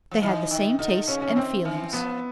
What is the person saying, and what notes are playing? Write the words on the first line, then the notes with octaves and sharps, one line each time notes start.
They had the same tastes and feelings.
F3
E3 D#4
D#3
D3 D#4
C#3 C#4
C#4
E3
D#3 C4
E3
F3 B3